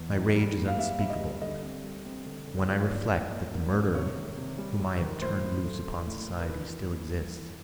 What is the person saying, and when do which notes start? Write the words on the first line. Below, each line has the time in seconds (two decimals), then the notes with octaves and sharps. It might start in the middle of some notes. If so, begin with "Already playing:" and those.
My rage is unspeakable when I reflect that the murderer, whom I have turned loose upon society, still exists.
Already playing: E2
0.15 D#4
0.36 G3
0.57 A#3
0.68 F5
0.78 G3 E5
0.99 G3 E5
1.10 D#5
1.20 G3
1.41 D3 D#5
1.63 C4
1.84 G3
2.05 C4
2.26 D3
2.47 D3
2.68 F3 D5
2.82 C#5
2.89 A#3
2.95 D5
3.11 A2
3.32 A#3
3.53 A#3
3.74 C#4
3.95 C3 C#5
4.16 D#3
4.37 C3
4.58 G3
4.80 G3
5.00 D#3
5.22 A2 C5
5.43 A2
5.64 A3
5.85 A3
6.06 A2
6.28 A2
6.39 A#4
6.49 E3 B4
6.70 E3
6.91 A#3
7.12 G2
7.33 E3